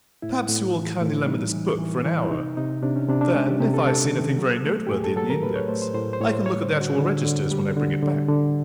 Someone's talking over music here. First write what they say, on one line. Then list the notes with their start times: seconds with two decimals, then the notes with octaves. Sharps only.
"Perhaps you will kindly lend me this book for an hour?--then, if I see anything very noteworthy in the index, I can look at the actual registers when I bring it back."
0.22 A2 E4
0.49 A2
0.75 E3
1.01 A2
1.26 G3 D#4
1.53 E3
1.79 E3
2.05 E3
2.24 E4
2.31 C3 D#4
2.57 C3 D#4
2.83 C3 D4
2.96 C#4
3.08 C3 D4
3.21 D4
3.34 G#3 C#4
3.48 G4
3.60 C3 G4
3.74 A4
3.86 C3 A4
4.13 D#3
4.38 F#3
4.65 A3
4.87 G4
4.91 A2 G#4
5.04 A4
5.16 F#3 A4
5.30 A#4
5.42 A2 B4
5.56 C#5
5.68 A3 C5
5.82 C5
5.94 A2 C5
6.13 C5
6.20 A2 C#5
6.33 C5
6.46 G3 C#5
6.63 C5
6.72 D3
6.81 F#4
6.98 D3
7.25 D3
7.51 G3 G4
7.77 D3
8.03 D3
8.29 D3